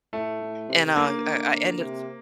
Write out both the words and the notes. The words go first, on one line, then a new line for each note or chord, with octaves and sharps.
and, uh, I I ended
A2 A3
A2
C3
C3
D3 A#3
C3